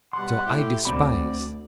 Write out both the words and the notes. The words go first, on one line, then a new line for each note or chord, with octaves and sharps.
So I despise.
B2 G3 F#5 C6
A2 G4
D2 C4 F#4 D5 B5